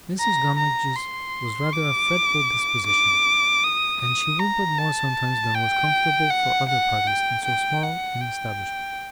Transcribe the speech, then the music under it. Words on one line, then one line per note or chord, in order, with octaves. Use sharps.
Mrs. Gummidge's was rather a fretful disposition, and she whimpered more sometimes than was comfortable for other parties in so small an establishment.
A#5
A#5
C6
D6
D6
D#6
D#6
A#5
A5
G5
F#5
F#5
G5
G5
F#5
G5